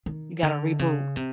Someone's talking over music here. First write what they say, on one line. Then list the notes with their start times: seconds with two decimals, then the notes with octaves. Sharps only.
You gotta reboot.
0.06 D#3
0.43 D3
0.80 C#3
1.17 C3